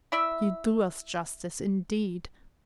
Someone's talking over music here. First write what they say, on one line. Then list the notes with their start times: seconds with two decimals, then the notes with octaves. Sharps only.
You do us justice, indeed.
0.12 E4 D5 E5